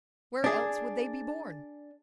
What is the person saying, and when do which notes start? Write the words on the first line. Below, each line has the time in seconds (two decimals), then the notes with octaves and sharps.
"Where else would they be born?"
0.44 D4 G#4